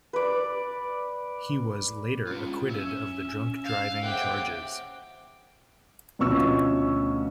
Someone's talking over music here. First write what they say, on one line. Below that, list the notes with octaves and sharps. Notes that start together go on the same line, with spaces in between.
He was later acquitted of the drunk driving charges.
B4 D5
C#4 F4
C#4 E5
F5
G#4 C5 E5 F#5 G5 D6
D2 B2 F3 C#4 C#6 E6